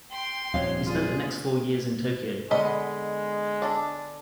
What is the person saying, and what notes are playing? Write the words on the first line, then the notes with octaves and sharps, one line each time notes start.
He spent the next four years in Tokyo.
G5 C6
D#1 F2 C#5 F5
F4 G#4 D5
D3 G#3 B3 D#5 B5
D4 A4